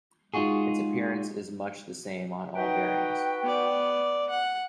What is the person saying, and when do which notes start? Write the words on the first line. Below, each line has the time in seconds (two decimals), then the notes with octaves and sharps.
Its appearance is much the same on all bearings.
0.34 G#3 D#4 F4 F#4 G#4
2.56 D#4 F#4 B4 G5
3.44 B3 D5
4.30 F#5